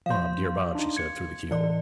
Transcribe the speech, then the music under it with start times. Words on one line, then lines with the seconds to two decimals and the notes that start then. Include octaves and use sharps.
'Bob, dear Bob!' she said, through the keyhole.
0.06 F3 F5 C6 G6
0.75 D4 D#4
0.97 G#6 C#7
1.51 A2 E3 D5